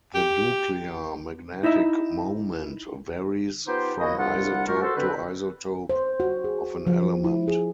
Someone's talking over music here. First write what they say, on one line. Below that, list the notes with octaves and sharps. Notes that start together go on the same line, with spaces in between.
The nuclear magnetic moment varies from isotope to isotope of an element.
G4
D#4 E4 D#5 E5
B3 D#4 F4 G4 C5
A#3 E4 F#4 C#5 D#5
C2 G3 D4 F4 F#5
A#2 G#3 F4 G4 A#4 C#6
F#4 A4 C5
D3 C4 B4
C5
F#4
G#4
F3
E4
G#4